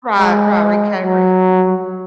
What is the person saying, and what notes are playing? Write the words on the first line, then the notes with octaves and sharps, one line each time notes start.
Right, right, recovery. Mhm.
G#3
F#3